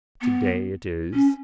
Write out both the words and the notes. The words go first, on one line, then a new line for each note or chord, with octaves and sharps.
Today it is.
B3
C#4